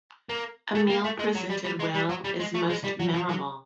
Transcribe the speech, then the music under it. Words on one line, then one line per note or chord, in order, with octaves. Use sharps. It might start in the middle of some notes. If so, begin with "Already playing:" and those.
A meal presented well is most memorable.
A#3
A3
A#3
A3
G#3
F#3
G3
G3
G#3
G3
F#3
G3
G#3
A3
G#3
G3
F#3
F3
F#3